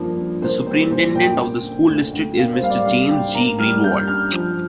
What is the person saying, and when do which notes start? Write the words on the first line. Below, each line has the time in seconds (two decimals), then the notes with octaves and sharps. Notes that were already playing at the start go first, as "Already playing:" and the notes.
The superintendent of the school district is Mr. James J. Greenwald.
Already playing: G2 F3 A#3
0.17 G2
0.42 A#3 C5
0.67 G3 C5
0.91 A#2 C5
1.15 A#2 G5
1.40 A#3
1.63 D3
1.88 D2
2.13 D2
2.37 A#3 F5
2.53 C5
2.62 G3 F5
2.70 D5
2.86 G2 F5
3.10 G2 G5
3.35 A#3 A#5
3.59 G3 F6
3.83 G2 G6
4.08 G2 F6
4.32 F3